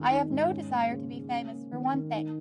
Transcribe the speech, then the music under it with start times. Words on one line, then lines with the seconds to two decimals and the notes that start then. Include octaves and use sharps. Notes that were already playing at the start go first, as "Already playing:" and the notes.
I have no desire to be famous, for one thing.
Already playing: F2 D#3 G#3
0.09 D#4
0.30 G#2
0.50 C#4
0.70 A#3
0.91 C#3
1.11 C#3
1.31 C#4
1.52 A#3
1.72 D#3
1.93 D#3
2.14 D#4